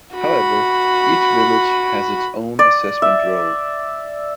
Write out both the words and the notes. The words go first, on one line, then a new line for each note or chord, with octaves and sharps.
However, each village has its own assessment roll.
F#4 B5
D5
E5